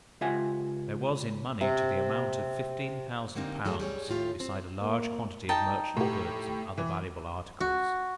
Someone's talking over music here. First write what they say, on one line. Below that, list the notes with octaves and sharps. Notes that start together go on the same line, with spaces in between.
There was in money to the amount of fifteen thousand pounds, besides a large quantity of merchant goods, and other valuable articles.
C#2 F4 G4 E5 F#5 G#5
C3
D3 G3 A#3 C4 D#4
G2 F#3 A3 G#4 A5
G3 G#4 C#5
D#2 A2 A3 F4 G4
C4
A#3
D#4 G5 A5
A2 G4
E3
F#4